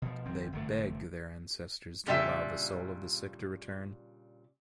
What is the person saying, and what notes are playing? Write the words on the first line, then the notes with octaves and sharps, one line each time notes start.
They beg their ancestors to allow the soul of the sick to return.
B2 F3
G#1 C4
G1 C3 A3
A#2 C#3 G3 D4 E4 E5